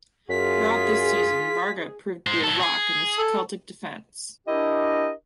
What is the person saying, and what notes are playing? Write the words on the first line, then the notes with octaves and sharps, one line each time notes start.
Throughout this season Varga proved to be a rock in the Celtic defence.
F#2 F4 G#4 B6
G#3 C5
F#3 A4
G#4
A4
D4 E4 G4 A#4 D#5